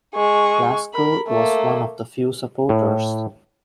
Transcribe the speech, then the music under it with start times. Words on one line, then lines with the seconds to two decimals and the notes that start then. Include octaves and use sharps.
Lasker was one of the few supporters.
0.15 G#3 C#6
0.93 A#4 B5
1.28 A3 A#3
2.69 A2